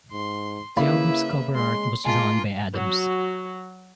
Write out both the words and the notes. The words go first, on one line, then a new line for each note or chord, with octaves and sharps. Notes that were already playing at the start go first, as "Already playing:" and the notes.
The album's cover art was drawn by Adams.
G#2 C6
C#3 A#3 E4 B4 E5 B5
G#3 C6
G#3 A#3 F4 G#5 A5
F#3 F#4